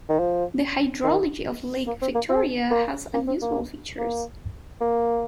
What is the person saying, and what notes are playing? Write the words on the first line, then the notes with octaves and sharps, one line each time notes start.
The hydrology of Lake Victoria has unusual features.
D#3
F3
D#3
A#3
C4
A#3
C4
A#3
A#3
C4
A#3
A#3
A#3